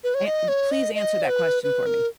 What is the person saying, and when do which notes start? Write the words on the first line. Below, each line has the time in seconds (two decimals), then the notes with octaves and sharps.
An m please answer that question for me.
0.04 B4
0.14 C#5
0.26 D#5
0.48 C#5
0.71 D#5
0.94 D#5
1.29 B4
1.63 B4
1.86 A#4